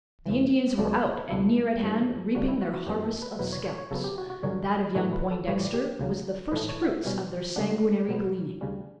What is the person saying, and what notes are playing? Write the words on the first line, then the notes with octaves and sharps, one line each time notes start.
The Indians were out, and near at hand, reaping their harvest of scalps! That of young Poindexter was the firstfruits of their sanguinary gleaning!
E2 C#3 E3
C#2 C#3 F#3 C#4 D5
C#5
C#5
B4
C#2 B2 A3 D4 E4
G2 E3 G3 D4
C#3 G3 D4 F#4
E4
F#4
F#4
F#2 E3 B3 D4 G4
A4
B4
E2 B2 F#3 B4
C#5
C#5
C#5
C#3 F#3 B3 A4
G4
F#4
F#4
G2 D3 F#3 C#4 C#5
A2 E3 A3 D4 C#5
B4
A4
A2 E3 G3 C#5
D5
G4
D2 C#3 F#3
A2 E3 A3 B4
C#5
F#5
E5
B2 G3 C#4
C#3 G3 D4 F#5
B2 F#3 B3
D2 C#3 G3 C#4